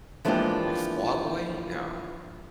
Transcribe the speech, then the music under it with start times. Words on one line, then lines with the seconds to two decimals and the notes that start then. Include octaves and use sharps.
Like Fallout Boy? No.
0.25 E3 F3 G#3 A#3 D4 G4